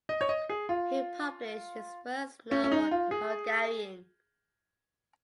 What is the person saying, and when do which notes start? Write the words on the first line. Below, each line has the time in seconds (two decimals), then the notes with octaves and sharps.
He published his first novel in Hungarian.
0.09 D#5
0.21 C#5
0.29 D#5
0.49 G#4
0.69 F4
2.51 C#4
2.64 C#4
2.72 D#4
2.91 F4
3.11 G#4